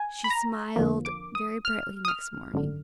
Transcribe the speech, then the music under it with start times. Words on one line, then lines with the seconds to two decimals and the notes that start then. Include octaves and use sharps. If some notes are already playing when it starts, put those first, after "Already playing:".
She smiled very brightly next morning.
Already playing: G#5
0.24 B5
0.30 A#5
0.76 F2 D3 F3 A#3
1.05 D6
1.35 D#6
1.65 F6
2.05 D#6
2.08 F6
2.54 G#1 F#2 D3